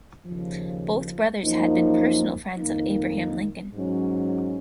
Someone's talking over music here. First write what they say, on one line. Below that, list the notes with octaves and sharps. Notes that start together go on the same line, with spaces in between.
Both brothers had been personal friends of Abraham Lincoln.
D#2 C#3 F3
F#2 F3 A#3 D#4
F2 D#3 A#3 D#4
G#2 F#3 C#4